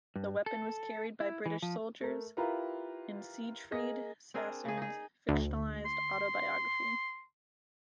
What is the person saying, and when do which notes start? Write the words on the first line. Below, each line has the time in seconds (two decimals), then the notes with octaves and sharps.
The weapon was carried by British soldiers in Siegfried Sassoon's fictionalised autobiography.
0.16 G2
0.46 A4
1.20 E4
1.46 E3
1.62 F3
2.01 A3 A#4
2.37 E4 F4 G4 A#4 B4 A#5
3.71 A#3 G#4 D#5 A#6
4.34 C4 D4 G#4 A#4
4.65 C#3 G#4
4.77 D#4 G#4
5.29 D2
5.86 C6